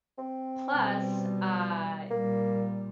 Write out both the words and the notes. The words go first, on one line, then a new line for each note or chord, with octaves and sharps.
plus, uh,
C4
B2 G3
A#2 G3 A#3